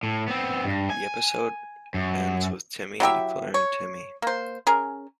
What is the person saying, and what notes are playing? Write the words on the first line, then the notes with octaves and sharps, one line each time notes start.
The episode ends with Timmy declaring Timmy!
A2
B3 C4
G2
G#5
F#2
F#3 E4 G4 E5
C#5
A#3 C5
C#4 G#4 A#4